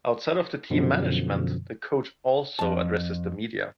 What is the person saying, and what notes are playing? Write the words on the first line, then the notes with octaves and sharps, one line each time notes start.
Outside of the team management, the coach also addresses the media.
F#2 B2 D3 F3
F2 A5